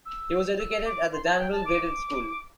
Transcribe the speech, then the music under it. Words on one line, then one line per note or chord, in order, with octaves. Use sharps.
He was educated at the Danville Graded School.
E6
E6
D6
C6
A5
G5
A5
D6